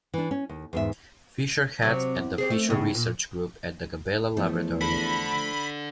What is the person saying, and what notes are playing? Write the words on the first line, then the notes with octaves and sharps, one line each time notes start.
Fisher heads the Fisher Research Group at the Gaballe Laboratory.
E3 D4
C#4
D#2
E2 G#2 E5
C3 F#3
E2
G3 C4 G#4
A3
E2 A2 C#3
A#2
E2 F3 A3
D4 A4 B5